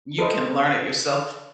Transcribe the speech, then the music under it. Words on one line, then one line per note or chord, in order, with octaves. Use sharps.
you can learn it yourself.
A4 B4 C5 D#5